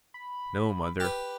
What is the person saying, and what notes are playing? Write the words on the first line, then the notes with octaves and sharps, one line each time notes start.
No, mother!
B5
G4 B4